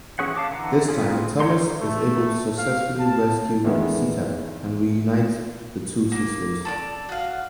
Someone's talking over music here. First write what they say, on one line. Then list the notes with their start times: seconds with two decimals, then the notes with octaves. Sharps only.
This time Thomas is able to successfully rescue Sita and reunite the two sisters.
0.19 E3 C#4 G#4 C#5 F#5
0.36 F5 A5 D6
0.51 D3 E3 F#5 A#5
0.89 B3 C4 F4 G#4
1.40 C#5 F#5 G5 A#5 C6
1.80 A3
2.58 F5
2.99 A5
3.64 E2 D3 D#3 G#3 B3
6.12 A#3
6.65 A4 C#5 D5
7.09 F#4 F5